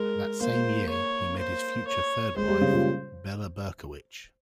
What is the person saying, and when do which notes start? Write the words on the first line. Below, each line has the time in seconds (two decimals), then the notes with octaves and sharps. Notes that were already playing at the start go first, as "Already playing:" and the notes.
That same year, he met his future third wife, Bella Berkowich.
Already playing: G#3 A#4
0.41 A#3 C5
0.89 C#5
1.39 C5
1.87 C#5
2.36 G#3 C5
2.48 G3
2.61 C#3
2.73 A#2